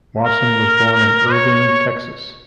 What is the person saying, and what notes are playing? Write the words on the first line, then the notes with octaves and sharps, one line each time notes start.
Wasson was born in Irving, Texas.
A#4
C#5